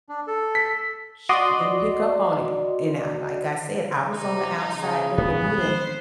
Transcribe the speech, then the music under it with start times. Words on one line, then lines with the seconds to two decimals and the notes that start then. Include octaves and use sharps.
She didn't pick up on it. And I like I said, I was on the outside looking in,
0.09 D4
0.27 A4
0.55 B6
1.29 F#4 D5 D#5 C6
4.14 C3 D#4
4.72 C#3
5.18 G#2 G3 B3
5.58 F3 G#3 C4 C5